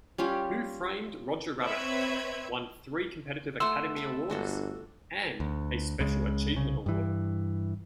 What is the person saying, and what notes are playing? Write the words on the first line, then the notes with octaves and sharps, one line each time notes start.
"Who Framed Roger Rabbit" won three competitive Academy Awards and a Special Achievement Award.
G3 C#4 F4 G4
C4 B4 C#5 E5 G#6
A3 F#5 C6 E6
A4 B5
G1 D4 F#4 A4
D2
C#2 C#3 G#3
C2 C#3
G2 E3